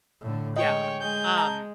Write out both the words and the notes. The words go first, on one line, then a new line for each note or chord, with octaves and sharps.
Yeah. Um,
A2 D3
D3 G#3 C#5 D#5 G5
G#3 G#5 G6
A5 A#5